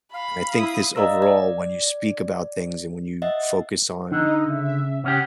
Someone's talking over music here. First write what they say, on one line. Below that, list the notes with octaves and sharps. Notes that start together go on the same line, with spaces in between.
and I think this overall when you speak about things and when you focus on
F5 B5
E4 E5 D#6
D5 D#5 F5 A#5 E6 A#6
D5
D#5 E5 F#5 A6
D3 D#4
C#3 E5
C#3 C#4 G4 F#5